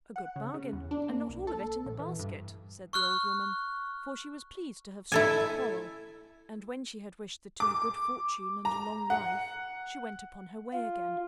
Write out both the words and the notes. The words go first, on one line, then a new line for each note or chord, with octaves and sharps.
"A good bargain, and not all of it in the basket," said the old woman, for she was pleased to have stopped the quarrel, and when she had wished the two good fortune and a long life, she went upon her way again.
F#5
C#3
C#3
E2
D4
A#3
B1
A4
A#1
E3
G2
C#6 F6 F#6
E4 A4 G#5
D6
A#5
F#5
F4